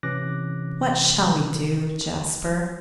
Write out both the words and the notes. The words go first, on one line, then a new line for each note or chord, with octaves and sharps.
'What shall we do, Jasper?'
C3 E3 C#4 D6 F#6 A#6